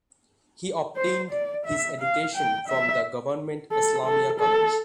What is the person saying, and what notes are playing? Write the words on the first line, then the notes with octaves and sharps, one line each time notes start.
He obtained his education from the Government Islamia College.
C5
D5
E5
F5
G5
E5
A4
A4
A4